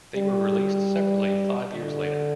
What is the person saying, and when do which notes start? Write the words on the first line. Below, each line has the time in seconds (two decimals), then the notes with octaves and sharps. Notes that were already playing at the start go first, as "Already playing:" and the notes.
They were released separately five years later.
0.15 G3
1.72 D3